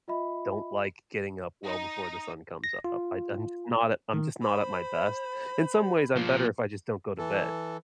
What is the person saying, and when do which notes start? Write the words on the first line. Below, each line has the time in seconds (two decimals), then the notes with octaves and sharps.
Don't like getting up well before the sun comes up. I do I'm not I'm just not at my best. In some ways, I'm better if I just don't go to bed,
0.08 F4 D#5 E5 B5
1.65 D#4
2.64 A#6
2.84 F4
4.14 D#3
4.41 C5 B5
6.17 A#2 F3
7.18 E3 A4